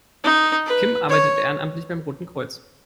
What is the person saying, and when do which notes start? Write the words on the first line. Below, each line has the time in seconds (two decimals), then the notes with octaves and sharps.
Kim arbeitet ehrenamtlich beim Roten Kreuz.
0.24 D#4
0.66 B4
1.09 C#5